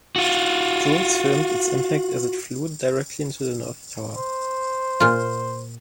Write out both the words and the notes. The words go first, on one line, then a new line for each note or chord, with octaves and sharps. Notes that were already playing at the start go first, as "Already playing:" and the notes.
Jules filmed its impact as it flew directly into the North Tower.
F4 F#4
C5
A#2 F4